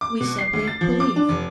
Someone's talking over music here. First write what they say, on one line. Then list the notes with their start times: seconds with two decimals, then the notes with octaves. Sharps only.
We simply believe.'
0.01 D6
0.20 B2
0.39 C7
0.53 D2
0.67 A6
0.81 F3
1.00 D6
1.16 D4
1.29 F1